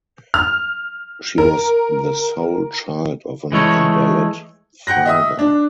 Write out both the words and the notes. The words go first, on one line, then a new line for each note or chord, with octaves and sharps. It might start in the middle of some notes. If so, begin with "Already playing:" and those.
She was the sole child of an invalid father.
F6
A#4
E3 G#3 A3 C#5
F#5 G5 F#6 A#6
D#5 E5 D#6
D4